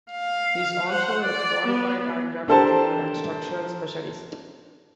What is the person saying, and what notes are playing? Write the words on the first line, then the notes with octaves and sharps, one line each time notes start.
He is also a qualified aircraft engineer and structural specialist.
F5
C5 F#5
D5
B3
D4 G4 A4 A#4 C5 A5